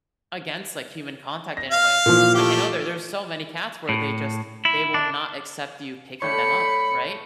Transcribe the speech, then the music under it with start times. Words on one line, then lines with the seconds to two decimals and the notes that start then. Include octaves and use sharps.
against, like, human contact in a way, like, I know there there's so many cats where they just they will not accept you picking them up, right?
1.57 A#6
1.71 F5
2.06 A#2 E3 F3
2.34 A3 G4
3.89 A2
4.65 E4
4.94 D4
6.22 A2 C#5 D5 G5 B5 C#7